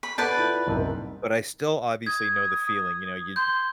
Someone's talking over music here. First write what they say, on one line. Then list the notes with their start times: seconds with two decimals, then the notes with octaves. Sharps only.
but I still obviously know the feeling, you know, you'd
0.03 B5
0.18 A4 B4 D5 F#5 A5 G6
0.37 E4 F4
0.67 F#1 C2 D#4
2.06 D#6 G#6
3.36 C6 G6